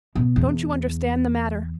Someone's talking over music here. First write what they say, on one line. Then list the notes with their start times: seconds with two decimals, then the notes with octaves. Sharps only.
Don't you understand the matter?
0.15 B2
0.36 E2